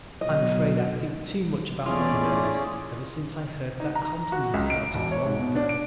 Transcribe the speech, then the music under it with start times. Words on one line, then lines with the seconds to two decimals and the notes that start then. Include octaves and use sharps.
I'm afraid I think too much about my nose ever since I heard that compliment about it long ago.
0.21 B2 F#3 D#5
1.86 E2 A3 C#4 E4 F4 G#4 D5
3.80 D#4
3.95 A#5
4.32 F#4
4.54 C#2
4.70 D7
4.94 E1
5.11 C#5
5.25 G#2
5.40 B2
5.55 D4
5.69 D7